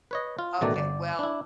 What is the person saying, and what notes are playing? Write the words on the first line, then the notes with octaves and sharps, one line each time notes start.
Okay. Well,
B4 C#5 D#5
F4
A1 B2 D#3 A3 D5 A#5
G1 D5
D4 E4